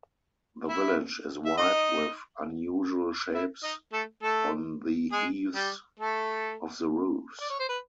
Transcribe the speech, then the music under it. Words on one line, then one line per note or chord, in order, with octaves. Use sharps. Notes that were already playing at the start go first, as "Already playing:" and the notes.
The village is white with unusual shapes on the eaves of the roofs.
E4 E5
E5
D#4 D#5
E4 E5
D#4 D#5
A3 A4
A3 A4
G#3 G#4
G3 G4
A3 A4
D5
C#5
C5
B4